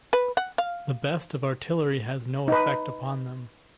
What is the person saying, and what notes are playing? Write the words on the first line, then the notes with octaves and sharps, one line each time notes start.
The best of artillery has no effect upon them.
B4
F#5
F5
D#4 B4